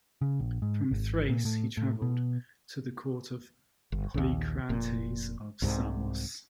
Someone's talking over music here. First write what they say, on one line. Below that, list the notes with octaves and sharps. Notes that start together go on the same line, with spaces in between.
From Thrace he travelled to the court of Polycrates of Samos.
C#3
A#1
G#2
G#1
A#2
A2
A2
B2
G1
A#1 D#2
F1 A#2
C2 G#2 C3